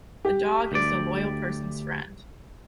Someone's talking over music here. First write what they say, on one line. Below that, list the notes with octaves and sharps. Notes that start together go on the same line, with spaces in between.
The dog is the loyal person’s friend.
G4
D2 D5